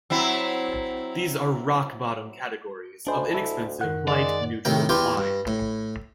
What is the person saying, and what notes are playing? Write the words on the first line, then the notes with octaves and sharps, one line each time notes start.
These are rock bottom categories of inexpensive, light, neutral wine.
F#3 C4 E4
D2 D4 C5 D#5 G#5 B5
E4 A4
F#2 D#3 A#4 F#5
G#3 D5
A2 C3 D#3 G5
E2 E3 F4 G4 G5
G2
A2